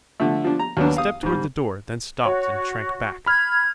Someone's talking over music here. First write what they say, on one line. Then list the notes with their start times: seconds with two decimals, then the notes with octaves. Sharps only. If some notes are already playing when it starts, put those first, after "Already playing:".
He stepped toward the door; then stopped and shrank back.
0.20 D3 F3 A3
0.44 F3 D4
0.59 A#5
0.77 D#2 F#3 B3 D4
0.97 F5 D#6
1.23 G#2 G3
2.26 F#4 C#5
3.26 B5 F6 G#6